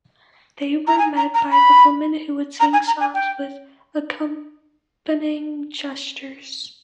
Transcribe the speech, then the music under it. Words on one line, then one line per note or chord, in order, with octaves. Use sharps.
They were met by the women who would sing songs with accompanying gestures.
A#5
G#5
A#5
A#5
B5
A#5
G#5
A#5
G#5
G5